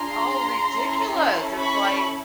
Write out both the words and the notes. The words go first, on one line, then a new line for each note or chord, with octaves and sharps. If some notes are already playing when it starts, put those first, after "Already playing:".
oh, ridiculous, it's like,
Already playing: D4 F4 G#4 A#5 C6
C#4 E4 A4
B5 C#6